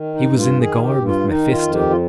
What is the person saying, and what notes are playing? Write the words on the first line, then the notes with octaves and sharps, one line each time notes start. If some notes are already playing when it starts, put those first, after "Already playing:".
He was in the garb of Mephisto.
Already playing: D#3
D#4
G2
F4
D#3 G#4
G4
G2
F4
D#3 D#4
F4
F2
G4
F4